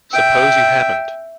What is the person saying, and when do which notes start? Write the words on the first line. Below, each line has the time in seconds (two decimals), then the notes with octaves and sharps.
Suppose you haven't?
0.11 E5 G5